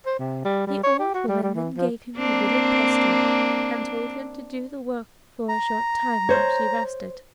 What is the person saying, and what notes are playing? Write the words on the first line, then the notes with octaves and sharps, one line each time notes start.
The old woman then gave him the wooden pestle and told him to do the work for a short time while she rested.
C5
C3
G3
G3
C#5
G4
F#4
G3
G3
E3
F3
A#3 C4 D4
A#5
C5 C#5